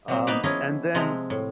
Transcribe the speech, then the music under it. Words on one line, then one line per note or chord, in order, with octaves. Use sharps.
Um, and then
C3 F#3 C4
A#3 B3 D#4 B4 D5 F5
F3 C#4 D#4 E4 G#4 D#5
C3 F3 G#3 C4
A2